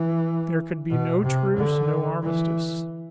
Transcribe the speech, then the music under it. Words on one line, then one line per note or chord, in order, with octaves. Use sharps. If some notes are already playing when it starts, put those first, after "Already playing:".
There could be no truce, no armistice.
Already playing: E3
B2
C3
D3
E3